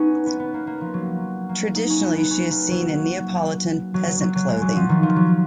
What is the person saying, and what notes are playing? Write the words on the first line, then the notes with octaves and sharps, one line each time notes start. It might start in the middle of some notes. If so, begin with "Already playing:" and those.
Traditionally, she is seen in Neapolitan peasant clothing.
Already playing: B3 C#4 D#4
B3
B3
A#3
A#3
F3
F#3
A#3
D#4
C#4
B3
B3
C#4
A#3
F#3
F#3
F#3
F#3
F#3
G#3
F#3
F3
D#3
F3
F#3